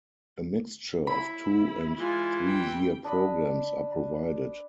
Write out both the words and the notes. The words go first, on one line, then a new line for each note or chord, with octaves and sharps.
A mixture of two- and three-year programs are provided.
E4 B5
E3 G#3 F4 G#5
G3 G5
D4 D#5 B5